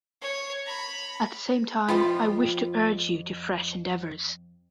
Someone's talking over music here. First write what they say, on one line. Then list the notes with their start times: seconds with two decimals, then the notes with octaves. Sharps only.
At the same time, I wish to urge you to fresh endeavors.
0.22 C#5
0.65 A#5 B5
1.88 F2 F3 F4 G5 B5